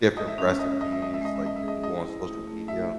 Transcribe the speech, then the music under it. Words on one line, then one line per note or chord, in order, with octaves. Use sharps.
different recipes, like, you can go on social media
G#3 D#5
E5
C#4 D#5
E5
C#4 D#5
E5
C#4 D#5
E5
G#3 D#5
E5
G#3 D#5
E5
G#3 D#5
E5
G#4 D#5
E4 D#5
E4
A3
A3
A3 E5